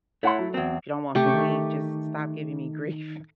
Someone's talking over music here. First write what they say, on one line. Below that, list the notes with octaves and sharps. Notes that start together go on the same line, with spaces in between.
"If you don't want me to leave, just stop giving me grief
A3 E4 C#5 F#5 C6
F#3
E2 C4
C3 A3 G4 C#6
D#3 D#4